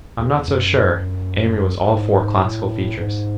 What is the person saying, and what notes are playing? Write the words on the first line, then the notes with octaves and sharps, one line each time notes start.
"I'm not so sure." Amory was all for classical features.
E2
F#2
G#2
A2
G#2